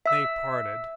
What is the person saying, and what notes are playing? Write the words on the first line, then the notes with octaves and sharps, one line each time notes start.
They parted.
E5 E6